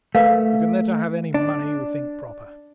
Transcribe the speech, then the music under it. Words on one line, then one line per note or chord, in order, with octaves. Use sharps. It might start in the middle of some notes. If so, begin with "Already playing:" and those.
You can let her have any money you think proper.
A3 A#4 B4 F5
D4